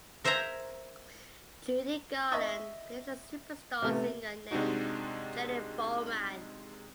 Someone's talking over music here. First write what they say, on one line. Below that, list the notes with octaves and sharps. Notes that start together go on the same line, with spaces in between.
Judy Garland plays a superstar singer named Jenny Bowman.
A#4 C5 E5 G#5 A#5
D#5 E5 C#6 D#6 E6
C3 A3 B3
C3 G#3 C4 D4 D#4 F#4